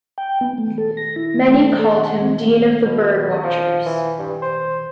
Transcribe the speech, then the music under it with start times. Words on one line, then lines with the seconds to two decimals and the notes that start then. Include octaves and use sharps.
Many called him Dean of the Birdwatchers.
0.18 G5
0.41 B3
0.58 A3
0.78 A4
0.97 A#6
1.16 E4
1.48 A3
1.79 A4
1.96 F#5
2.22 C4
2.86 B2
3.44 F3
3.86 E3
4.18 G2
4.42 C5